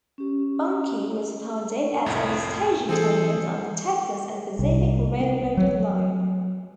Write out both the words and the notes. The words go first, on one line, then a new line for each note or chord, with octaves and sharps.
Bunkie was founded as a station terminus on the Texas and Pacific Railroad line.
C#4 G4
C2 F2 A2
E3 C4 G#4 A4 C5
C2
C4
F#3